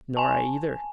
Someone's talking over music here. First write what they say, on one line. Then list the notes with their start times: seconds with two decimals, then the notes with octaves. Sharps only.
"Nor I either."
0.17 G#5 A5